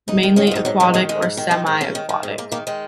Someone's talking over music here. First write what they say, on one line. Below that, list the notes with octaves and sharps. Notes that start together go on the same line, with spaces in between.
Mainly aquatic or semi-aquatic.
G#2 D#4
D#3
D#3 C#4
F4
G#2 D#4
G#2 F#3
D#3 F#3
D#3 G#3
G#2 G#3
G#2
D#3
D#3 D#4
G#2
G#2 C#4
D#3
D#3
G#2
G#2 A#3
D#3 A#3
D#3 G#3